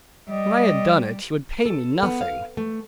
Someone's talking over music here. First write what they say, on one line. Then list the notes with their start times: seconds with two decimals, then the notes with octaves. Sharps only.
When I had done it, he would pay me nothing.
0.29 G3 D#5
1.66 A4
2.03 B3
2.21 F5
2.57 A3